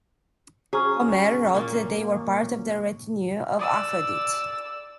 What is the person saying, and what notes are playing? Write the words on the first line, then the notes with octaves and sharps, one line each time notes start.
Homer wrote that they were part of the retinue of Aphrodite.
F#3 C#4 G#4
A#2 A#3
D5 E6